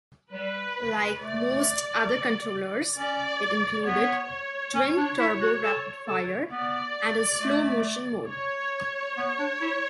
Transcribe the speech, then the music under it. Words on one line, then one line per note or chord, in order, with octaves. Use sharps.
Like most other controllers, it included twin turbo rapid-fire and a slow motion mode.
G3 B4
A3 D5
C#4 D5
B3 C#5
C#5
C#4
D4
E4
F#4
A4
A4
B3 D5
A3
C#5
B3
D4
E4